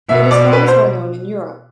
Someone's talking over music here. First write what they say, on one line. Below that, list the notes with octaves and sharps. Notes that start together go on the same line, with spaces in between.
It is not as well known in Europe.
B2 E5
D5
B4
C5